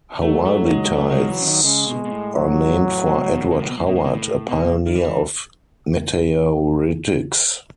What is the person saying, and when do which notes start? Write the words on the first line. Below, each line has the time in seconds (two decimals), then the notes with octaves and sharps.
Howardites are named for Edward Howard, a pioneer of meteoritics.
0.22 F#3 A3
0.45 A3
0.68 G#3
0.93 A3
1.10 G#3
1.19 D#3
1.28 E3
1.40 C#3
1.46 D#3
1.63 C#3 G#3
1.87 B2
2.05 B2
2.11 A2
2.35 F#3
3.06 A2
3.15 B2
3.23 A2
3.33 B2
3.42 A2
3.51 B2
3.60 A2
3.69 B2
3.78 A2
3.87 B2
3.96 A2
4.05 B2
4.14 A2
4.48 B2
4.86 D#3
4.95 E3